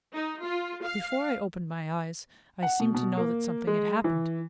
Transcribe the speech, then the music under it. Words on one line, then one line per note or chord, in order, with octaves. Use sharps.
Before I opened my eyes, I seemed to know that something had happened.
D#4
F4
F5
F#5
B2
B2
A#3
G#3
E3